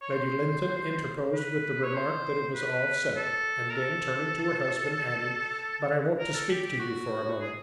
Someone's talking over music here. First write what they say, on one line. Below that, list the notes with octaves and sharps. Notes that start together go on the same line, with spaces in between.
Lady Lynton interposed with the remark that it was all settled; and then, turning to her husband, added: "But I want to speak to you for a moment."
C#5
C5
B4
C#5
C5
B4
A4
A#4
A4
A#4
A4
G4
G4
F#4
G#4